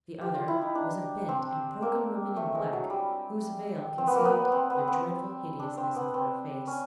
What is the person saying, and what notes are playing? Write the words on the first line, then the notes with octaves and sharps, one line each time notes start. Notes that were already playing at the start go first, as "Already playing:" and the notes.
The other was a bent and broken woman in black, whose veil concealed the dreadful hideousness of her face.
G4
F4
E4
D#4
D4
C4
A#3
A3
G#3
F#3
G3
C4
B3
A#3
B3
C4
B3
C4
D4
C4
B3
C4
C#4